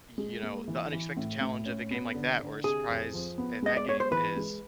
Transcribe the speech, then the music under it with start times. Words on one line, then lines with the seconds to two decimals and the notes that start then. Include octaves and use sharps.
you know, the unexpected challenge of a game like that or a surprise in that game, is
0.18 G#3
0.43 A#3
0.68 E3
0.92 E3
1.17 A2
1.41 A2
1.65 C#4
1.91 B3
2.15 D3
2.39 D3
2.63 C3 G#4
2.88 F2
3.13 F3
3.38 B3
3.62 G#3 D#5
3.77 D5
3.87 B3 C#5
4.00 C5
4.11 E3 B4
4.37 G#3